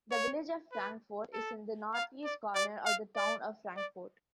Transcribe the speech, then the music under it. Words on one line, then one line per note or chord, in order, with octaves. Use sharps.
The Village of Frankfort is in the northeast corner of the Town of Frankfort.
C#5
B4
A4
F5
D5
D5
F5
D5
D5